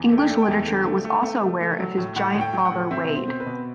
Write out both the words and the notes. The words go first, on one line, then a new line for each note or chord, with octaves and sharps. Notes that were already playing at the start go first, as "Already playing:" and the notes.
English literature was also aware of his giant father Wade.
Already playing: E2
A3
G5
A3
G5
E2
D3
A3
A3
A3
A3
A3
F#3
A2
A2 F#5
A2
G5
F#3
F#5
A2
C4 E5
B2
C5
C4
B4
B2